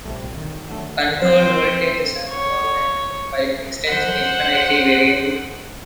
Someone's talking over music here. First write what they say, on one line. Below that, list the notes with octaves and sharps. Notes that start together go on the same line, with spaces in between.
Control voltage is analog and by extension infinitely variable.
A#1 C3 G3 A3
D#3
D3 F#3 A3
C4 C5
C#5
C5 F#5